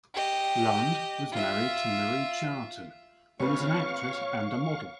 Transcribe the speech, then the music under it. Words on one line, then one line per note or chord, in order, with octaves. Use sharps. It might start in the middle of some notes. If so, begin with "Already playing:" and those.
Lund was married to Marie Charton, who was an actress and a model.
G4 D#5
F4 E5
A#1 C4 B4 C#5 F5 C#6